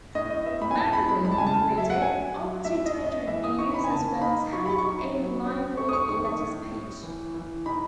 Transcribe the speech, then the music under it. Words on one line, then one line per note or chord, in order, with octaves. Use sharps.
The magazine included up-to-date reviews, as well as having a lively letters page.
A2 D#5
D#5
B3 E5
B5
G#5
A2 A5
B5
G#3 B5
B5
A5
C#3 G#5
A5
F#3
E5
F#5
F#3 G#5
F#3
A2 E5
D#5
A2
D#5
E3 E5
D#6
D#4 C#6
B5
G#5
C#3 A5
D#4 B5
F#3 C#6
B5
C#6
D#4
F#3
C#4
A3 C#6
D#6
C#6
D#3 C#6
C#6
A2
A2
E3
E3
D#4 B5